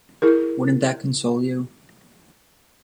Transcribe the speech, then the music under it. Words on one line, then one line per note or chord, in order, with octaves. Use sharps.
Wouldn't that console you?
E4 G#4 A#4